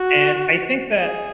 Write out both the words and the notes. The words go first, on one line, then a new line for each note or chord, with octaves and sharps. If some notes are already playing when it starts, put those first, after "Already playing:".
And I think that
Already playing: F#4
G#4